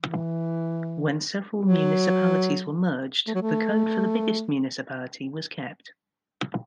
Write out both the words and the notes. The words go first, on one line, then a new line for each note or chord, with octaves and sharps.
When several municipalities were merged, the code for the biggest municipality was kept.
E3
F#3
A3
F#3
A3